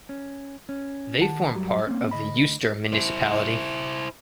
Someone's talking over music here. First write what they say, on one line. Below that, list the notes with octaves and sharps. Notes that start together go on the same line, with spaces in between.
They form part of the Eystur municipality.
C#4
C#4
D#3 F#5 A5
F#2 F#3 G3
A#3 C4 C#4
D2 D#5 B5
E4 C5